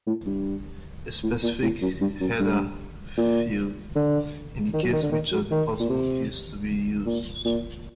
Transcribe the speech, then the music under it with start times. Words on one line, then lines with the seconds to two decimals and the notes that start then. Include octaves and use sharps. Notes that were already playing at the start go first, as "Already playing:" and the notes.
A specific header field indicates which of the possible keys is to be used.
0.07 A2
0.26 G2
1.23 A2
1.43 A#2
1.63 A2
1.82 F#2
2.01 G2
2.21 F#2
2.40 G2
3.17 A#2
3.96 D3
4.74 D#3
4.83 F#3
4.93 D#3
5.03 D3
5.12 D#3
5.32 F#3
5.51 D#3
5.80 A#2
5.90 C3
7.06 A#2
7.45 A#2